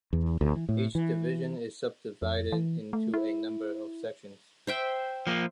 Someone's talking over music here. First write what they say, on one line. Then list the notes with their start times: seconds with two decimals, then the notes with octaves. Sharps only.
Each Division is subdivided into a number of Sections.
0.13 E2
0.41 D2
0.56 E3
0.69 A2
0.95 E3
2.22 F2
2.52 E3
2.93 A3
3.14 E4
4.67 C5 E5 G5
5.27 F3 A#3